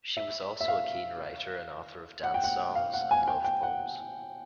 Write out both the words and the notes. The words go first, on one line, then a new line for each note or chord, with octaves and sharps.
She was also a keen writer and author of dance songs and love poems.
E5
E5
F5
F#5
G5
F#5
F5
F#5
G#5
G5
G5
F#5